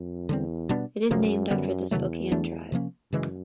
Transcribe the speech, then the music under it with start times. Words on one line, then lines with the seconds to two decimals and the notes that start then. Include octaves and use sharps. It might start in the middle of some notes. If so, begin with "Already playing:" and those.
It is named after the Spokane tribe.
Already playing: F2
0.29 E2 D3 G3 C4
0.69 B2 G3 B3 D4
1.10 F#2 C3 F3 A#3
1.51 F#2 D3 G3 B3
1.91 E2 C3 D#3 F#3 A3
2.32 E3 A3 D4
2.72 C3 F3 A#3 C#4
3.12 F#2 C#3 E3 G#3